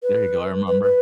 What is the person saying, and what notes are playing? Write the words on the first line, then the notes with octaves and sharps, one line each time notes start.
there you go. I remember.
B4
B4
B4